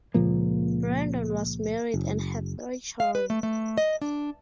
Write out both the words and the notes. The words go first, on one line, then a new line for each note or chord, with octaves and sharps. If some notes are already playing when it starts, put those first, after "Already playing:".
Brandon was married and had three children.
C#2 A#2 F3 A#3
F#1
F5
B4
A3
A3
D#5
D4